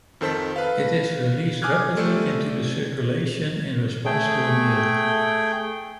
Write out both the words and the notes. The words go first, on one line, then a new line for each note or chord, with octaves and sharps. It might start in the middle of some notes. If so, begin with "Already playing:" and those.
It is released rapidly into the circulation in response to a meal.
F2 D#3 A4 C5 A5 B6
B4 F5
G#5 D6 D#6 F6 F#6 G#6
G3 A3 A4 C5 D5
A3 G#4 G5